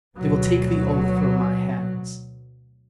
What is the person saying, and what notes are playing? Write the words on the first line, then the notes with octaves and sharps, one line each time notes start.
They will take the oath from my hands.
D2 B2 F#3